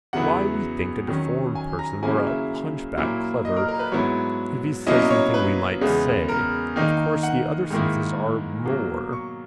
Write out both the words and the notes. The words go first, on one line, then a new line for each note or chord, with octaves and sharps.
Why we think a deformed person or a hunchback clever if he says something we might say. Of course the other senses are more.
E2 C#3 F#3 B3 E4 F#5
D#3 F#3 C#4
G#5
A#5
C#3 F#3 A#3 C#4 E4 G#5
E5
A#2 F#3 A#3 E4
D#5
A#4
A#4
B4
G#2 F#3 B3 E4 C#5
B2 F#3 A#3 C#4 E4 D#5
D#5
C#5
B4
E2 C#3 G#3 B3
A#4
D#3 A#3 D#4
F#5
G#2 D#3 A#3 E4
B2 F#3 A#3
C#6